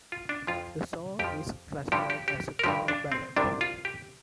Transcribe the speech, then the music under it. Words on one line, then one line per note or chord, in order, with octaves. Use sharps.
The song is classified as a power ballad.
F4
D4
F2 F3 F4
F2 F3 G4
G2 D3 F3 G4
G4
G4
A#4
G2 D3 F3 G4
D4
C4
C2 C3 G3 D4
F4
G4